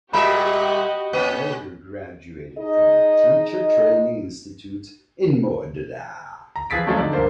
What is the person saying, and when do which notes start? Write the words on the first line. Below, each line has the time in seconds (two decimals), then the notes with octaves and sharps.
He later graduated from the teacher training institute in Modra.
0.13 A#2 G3 F#4 G4 D#5 E5 B5
1.13 A#3 C#4
2.59 D#4 G#4 D#5
6.56 A#5
6.70 E3 F3 G#4 A6 B6 D7
6.85 F3 F#3 G#3 A3 C#4 E4
6.98 D3 D#4 D5
7.13 C2 G2 A#3 C5